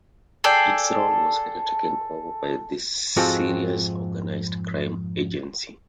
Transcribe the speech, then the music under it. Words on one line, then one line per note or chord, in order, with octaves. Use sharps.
Its role was later taken over by the Serious Organised Crime Agency.
G#4 A4 D5 G5
F2 G#2 C4 F4 F#4 A4